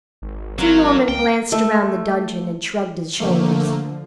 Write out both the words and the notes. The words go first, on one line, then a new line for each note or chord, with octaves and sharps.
Sir Norman glanced round the dungeon and shrugged his shoulders.
G#1
F#3 C4 F4 A#4
C#2 G5
A3
D3 F3 A3 A#3